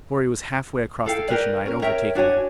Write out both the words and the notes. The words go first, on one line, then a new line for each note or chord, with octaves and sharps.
Before he was halfway across the kitchen I had overtaken him.
E4 A4 F5 G5
G4 A#4 B4 D5
C#4 A#4
A#4 C#5 E5 G5
D4 F#4 C#5 G#5